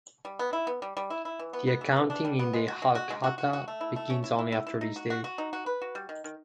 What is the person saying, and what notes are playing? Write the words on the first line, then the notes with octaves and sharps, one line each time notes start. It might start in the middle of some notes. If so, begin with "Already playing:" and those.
The accounting in the "Halkhata" begins only after this day.
G3
B3
E4
B3
G3
G3
E4
E4
E3
B3
B3
E3
E3
D4
G3
B3
G#3
F#4
G#3
F#4
G#3
F#4
F#4
F#4
A3
E4
A3
C#4
E4
E4
E4
E4
D#4
F#4
F#4
F#4
D#4
F#4
B4
F#4
G3
D#3
D#3